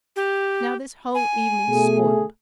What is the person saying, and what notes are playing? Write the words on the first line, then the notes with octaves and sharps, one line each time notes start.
Now this whole evening's spoiled.
G4
G#5
B2 A3 G#4